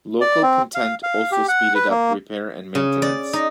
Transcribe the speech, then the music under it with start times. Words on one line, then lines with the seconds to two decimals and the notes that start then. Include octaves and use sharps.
Local content also speeded up repair and maintenance.
0.21 D5
0.43 C4
0.75 F5
1.03 F5
1.32 G4
1.48 F#5
1.75 B4
1.90 A#3
2.75 C#3
3.02 D5
3.33 D#4